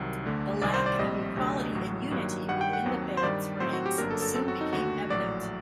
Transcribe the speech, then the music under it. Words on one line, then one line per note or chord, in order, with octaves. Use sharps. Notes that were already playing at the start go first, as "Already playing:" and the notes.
The lack of equality and unity within the band's ranks soon became evident.
Already playing: C2 C3 D#3 F#3
D2 D3 A3 D4
C2 C3 D#3 G3 D5
C5
D5
A#1 A2 G3 C4 D#5
D2 C3 F#3 A3 D4
A1 A2 F#3
G2 D#3 F#3 A#3
G2 D#3 G3 F#5
G5
F#5
D#2 D#3 F#3 C4
C5
G2 D#3 G3 D5
A2 F#3 C4 C5
F#4
G4
G1 F#2 F#3 A#3 D4 A#4
A4
A4
F#2 F#3 C4 A4
F#4
D#4
D#2 D3 A3 F#4
A#1 A2 F#3 D5